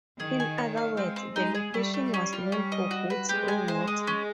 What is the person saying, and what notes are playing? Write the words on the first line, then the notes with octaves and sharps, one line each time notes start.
In other words, the location was known for good spring water.
D#3 G#4
G#5
C#5
F5
G#3 C4
C4
G#3 D#4
G#4
G3 A3
A3
C#4
F4
C#4
D#5
F#4
B4
G#3 G4
G#5
C5
D#5
C#4